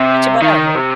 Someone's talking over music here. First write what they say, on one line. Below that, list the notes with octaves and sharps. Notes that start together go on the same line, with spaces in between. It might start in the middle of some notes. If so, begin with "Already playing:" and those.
get your butt out here."
Already playing: C3
D#3
C3